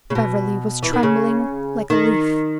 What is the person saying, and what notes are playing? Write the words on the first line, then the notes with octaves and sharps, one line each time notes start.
Beverly was trembling like a leaf.
C#3
B2
E3
D#3
C#3
D#3